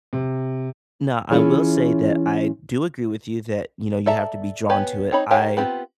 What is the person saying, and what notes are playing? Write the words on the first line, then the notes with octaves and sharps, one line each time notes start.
No. I will say that I do agree with you that, you know, you have to be drawn to it. I
C3
E3 C#4 E4 F4 G#4 C#5
A4 D5 E5 A5 A#5
B3 G4 B4 C#5 G#5
C4 D#4 C#5 B5
D#4 G4 A#4 C#5 F5
B3 C4 F4 G4 B4